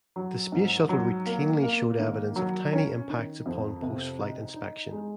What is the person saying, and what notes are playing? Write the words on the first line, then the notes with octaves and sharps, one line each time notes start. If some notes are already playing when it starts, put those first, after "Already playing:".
The Space Shuttle routinely showed evidence of "tiny" impacts upon post-flight inspection.
F#3
G#2
F#3
A#3
A#3
D#3
F#3
C#4
D#3
F2
C3
D#4
D#4
G#3